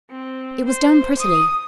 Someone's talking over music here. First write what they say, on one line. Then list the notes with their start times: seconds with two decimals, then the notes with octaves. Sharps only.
It was done prettily.
0.10 C4
0.67 C5
1.19 D#6